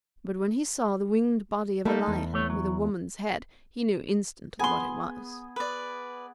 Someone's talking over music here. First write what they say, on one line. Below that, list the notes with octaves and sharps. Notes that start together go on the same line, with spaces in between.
But when he saw the winged body of a lion with a woman's head, he knew instantly what it was.
G3 A3 A#3 D#4 A4
E2
A3 C#5
F#3
B3 G#4 G#5 C6
B4 D5